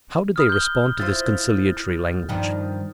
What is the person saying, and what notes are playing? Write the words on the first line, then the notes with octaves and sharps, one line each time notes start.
How did they respond to this conciliatory language?
B5 D#6 F6
G6 G7
E4 F4 C5 A6
G2 D#3 F3